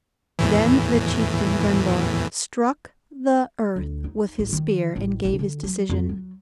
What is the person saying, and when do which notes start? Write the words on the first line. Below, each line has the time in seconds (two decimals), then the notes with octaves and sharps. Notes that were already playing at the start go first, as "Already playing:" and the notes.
Then the chieftain Gundhar struck the earth with his spear and gave his decision.
0.39 E2 A2 E3
3.76 D2
4.04 D#4
4.39 A1
4.53 D#3
4.96 A1
5.25 A1
5.39 D3
5.63 F#3
5.90 F2
6.09 F#3